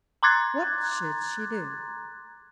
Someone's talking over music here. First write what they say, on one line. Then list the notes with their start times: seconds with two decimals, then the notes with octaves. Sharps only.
What should she do?
0.23 A#5 C6 D6 F#6 G#6 A6